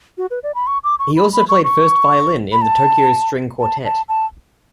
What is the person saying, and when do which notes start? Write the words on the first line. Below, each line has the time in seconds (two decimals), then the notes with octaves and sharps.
He also played first violin in the Tokyo String Quartet.
0.18 F#4
0.31 B4
0.43 D5
0.55 B5
0.67 C#6
0.84 D6
0.99 C#6
1.16 B5
1.33 B5
1.49 C#6
1.64 C#6
2.52 B5
2.62 A5
3.60 A5
3.85 A5
4.09 A5